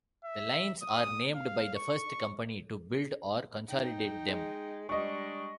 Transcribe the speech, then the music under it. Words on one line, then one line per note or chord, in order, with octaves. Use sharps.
The lines are named by the first company to build or consolidate them.
E5
D#6
F5
C#6
D#4 G5
G#3
G3 G#3 D4 D#5 C#6